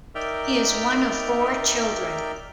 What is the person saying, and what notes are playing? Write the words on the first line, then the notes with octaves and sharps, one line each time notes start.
He is one of four children.
D#4 A#4 D5 E5 G5 F6